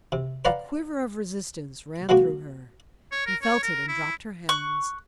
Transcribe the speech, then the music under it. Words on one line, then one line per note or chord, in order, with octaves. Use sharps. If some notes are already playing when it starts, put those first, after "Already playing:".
A quiver of resistance ran through her: he felt it and dropped her hands.
C3
B4 C#5 D5 F5 F#5 A#5
F#3 G#3 A#3 F#4
C#5
A#4
C#5
A#4
E4
C#6 F#6